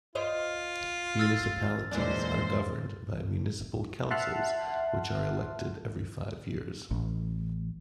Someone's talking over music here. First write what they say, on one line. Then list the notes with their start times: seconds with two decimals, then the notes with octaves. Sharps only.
Municipalities are governed by municipal councils which are elected every five years.
0.15 F4 C5 C#5 D#5
1.19 E6 F6 A6
1.91 E2 A#2 F#3 G#3 D4 C5
4.11 E5 F#5 A5 C6 F6 F#6
6.91 A1